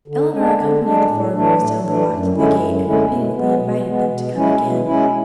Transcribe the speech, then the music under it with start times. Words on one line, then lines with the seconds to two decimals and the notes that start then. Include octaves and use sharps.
Eleanor accompanied the four girls down the walk to the gate and repeatedly invited them to come again.
0.08 D3
0.33 G#3 D4
0.59 D3
0.84 G#3 D4
1.09 A2
1.34 E3 A3 D4
1.59 A2
1.84 E3 A3 D4
2.10 F#2
2.34 D3 G#3 C#4 E4
2.60 F#2
2.84 D3 G#3 C#4 E4
3.10 B2
3.34 G#3 B3
3.60 B2
3.85 G#3 B3
4.10 B2
4.35 G#3 C#4 E4
4.61 B2
4.86 G#3 C#4 E4